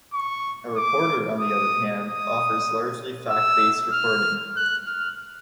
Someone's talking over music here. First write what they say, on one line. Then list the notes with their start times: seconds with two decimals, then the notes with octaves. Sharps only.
A reporter, on the other hand, offers largely fact-based reporting.
0.14 C#6
0.77 D6
1.40 D#6
2.03 D#6
3.30 E6
3.93 F6
4.57 F#6
4.87 F6